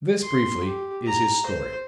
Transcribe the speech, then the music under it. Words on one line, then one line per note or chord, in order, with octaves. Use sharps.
This, briefly, is his story.
C6
G4
A#5
C5